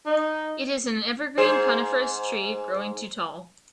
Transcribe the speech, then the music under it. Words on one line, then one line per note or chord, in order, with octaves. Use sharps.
It is an evergreen coniferous tree growing to tall.
D#4
G#2 G#4 C5